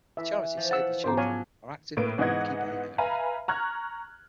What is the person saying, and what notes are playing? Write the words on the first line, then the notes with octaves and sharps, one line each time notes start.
The charity Save the Children are active in the Monkey Bay area.
E3 E5
F3
F#5 E6 A6
G#2 C#3 F3 B3 C5 A#5 D6
F#3 C#5 F5 G#5
A2 A#3 B4 D7
G#2 E3 B3 D#5 F#5 G#6
B4 E5 F5 G#5 A#5 B5
A#5 C#6 F6 F#6 G#6